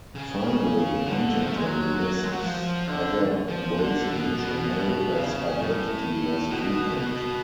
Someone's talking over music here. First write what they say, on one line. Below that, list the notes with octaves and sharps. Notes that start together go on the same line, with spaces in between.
Finally, Huntington lists other ways in which America's identity has weakened.
C#3
D3
F3
A3
G#3
F#3
F#3
G#3
F#3
F3
D3
F3
D3
B2
B2
B2
C#3
A2
B2
B2